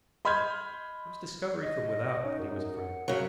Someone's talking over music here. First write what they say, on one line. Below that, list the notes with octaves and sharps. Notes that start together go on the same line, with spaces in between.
It was discovery from without that he was afraid of.
D#5 B5 C6 F6 G6 G#6
D#5
C#4 D#4
F#2
F#5
F#2 C#3 F#3